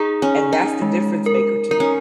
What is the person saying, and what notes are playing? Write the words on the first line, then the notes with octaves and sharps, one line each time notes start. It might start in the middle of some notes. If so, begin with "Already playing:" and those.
And that's the difference maker to me.
Already playing: D#4 G#4
C#4
G#4
D#4
G#3
A#4
D#4 A#4
C#4